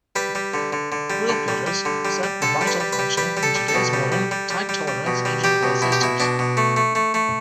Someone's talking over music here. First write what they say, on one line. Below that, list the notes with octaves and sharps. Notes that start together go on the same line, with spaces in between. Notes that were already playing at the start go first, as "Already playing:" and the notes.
Fuel filters serve a vital function in today's modern, tight-tolerance engine fuel systems.
G3 B4
G3
D3
D3
D3
G3
D3
G3
G3
D3
G3
G3
D3 A4
G3
B4
G3
B4
G3
G3 B4
G3
A4
G3
A4
B2
G3
G3
G3
G3
G3
G3
B2
G3
G3 G4
B2
B2 E4
G4
B2 E4
B2 D4
B2
A3
A3
A3
A3